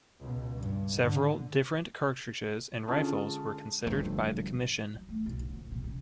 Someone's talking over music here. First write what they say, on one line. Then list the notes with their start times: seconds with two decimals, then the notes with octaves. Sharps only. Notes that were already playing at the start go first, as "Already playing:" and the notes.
Several different cartridges and rifles were considered by the commission.
0.20 C#2 B2
0.56 G2
0.95 G#2 D3
2.88 D3 G#3 C#4 F4 A5 D#6
3.87 D1 G2 F3 A3
4.95 F#3
5.09 A3
5.26 B1
5.38 D3
5.53 A#1
5.72 C3
5.84 C#3